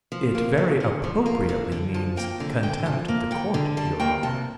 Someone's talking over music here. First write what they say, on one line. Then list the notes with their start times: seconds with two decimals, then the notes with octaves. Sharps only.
"It very appropriately means 'contempt of the court,' your honor."
0.12 F3
0.35 A#3
0.58 D3
0.80 D3
1.04 F3
1.26 A#3
1.49 D3
1.72 D3
1.94 F3 A5
2.17 A#3 G5
2.40 D3
2.63 D3 G5
2.86 F3 A5
3.08 A#3
3.31 D3 G5
3.54 D3
3.77 G3 A5
4.00 A#3 G5
4.23 C3 A5